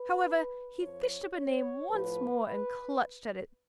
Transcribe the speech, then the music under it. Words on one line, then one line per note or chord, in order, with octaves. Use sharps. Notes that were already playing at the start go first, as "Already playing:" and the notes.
However, he fished up a name once more, and clutched at it.
Already playing: B4
F2 F3 C#5
C#5
A2 F3 B4
B4